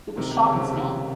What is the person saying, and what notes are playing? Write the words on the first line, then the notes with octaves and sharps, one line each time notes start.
It was shot in Spain.
C3 D#3
C3
C#3
C3
C#3
C3 D#3